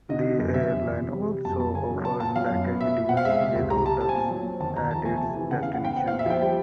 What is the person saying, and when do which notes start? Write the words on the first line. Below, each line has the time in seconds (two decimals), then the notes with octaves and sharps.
The airline also offers package deals with hotels at its destinations.
0.09 D3 D#5
0.25 D3
0.39 F#2
0.54 C3 E5
0.70 E2
0.85 E2
1.00 C3
1.15 G3
1.30 G3
1.45 F#2 A5
1.60 F#2 A5
1.74 C#3 G#5
1.90 F#3
2.05 B3 A5
2.20 A#2 A5
2.36 F#3 F5
2.51 F#2
2.66 B3
2.80 B2 E5
2.96 B2
3.09 C4 F#5
3.17 F5
3.25 G#3 E5
3.40 C3
3.55 C#2
3.70 G3 A#5
3.85 G3 A5
4.00 C4 A5
4.09 G#5
4.15 A#2 A5
4.31 F#3
4.46 C4
4.60 D#2 A5
4.76 D#2 A#5
4.91 F3 A5
5.05 A3 G#5
5.17 C3 A5
5.29 G#5
5.36 E3
5.51 C#3 F#5
5.63 F5
5.66 C#3
5.74 F#5
5.81 B3 G5
5.96 C4 F#5
6.07 F5
6.12 A#2
6.19 E5
6.26 F3 G5
6.42 G3